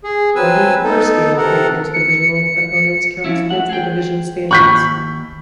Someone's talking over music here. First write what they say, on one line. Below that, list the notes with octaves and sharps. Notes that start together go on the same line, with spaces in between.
Only the first game played against divisional opponents counts towards the division standings.
G#4
F#3 C4 B4 G#5 E6
B3 D#4 A4
C3 A4 A#4 F#5
C#7
F3 C#4 E4
A3 F#5
G#4 G5
D#2 B5 C#6 G6 B6